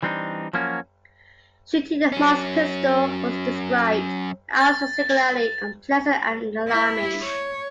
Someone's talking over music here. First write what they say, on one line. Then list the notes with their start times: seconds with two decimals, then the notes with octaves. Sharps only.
Shooting the Mars pistol was described as "singularly unpleasant and alarming".
0.03 E3 G3 C4 D4 D#4
0.53 F3 F#3 A#3 C#4 F#4
2.12 F#3 C#4
4.61 A6
6.68 E4
7.23 C#5